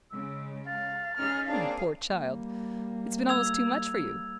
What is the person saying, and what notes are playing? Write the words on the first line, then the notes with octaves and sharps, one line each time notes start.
"You poor child--it's been almost too much for you!"
C#3 G#3 E6
F5 A6
C#4 D#4 G#4 F6
A#3 C4 D4 G#4 F5 A5
G3 A#3
E6 G#6 F7